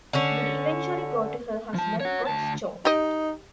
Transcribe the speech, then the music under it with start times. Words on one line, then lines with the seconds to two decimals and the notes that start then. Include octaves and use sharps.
It would eventually go to her husband Gottschalk.
0.13 D3 C#4
1.74 F3 A5
2.00 C#5 F#5
2.27 D2 A5
2.85 D#4 G4 D#5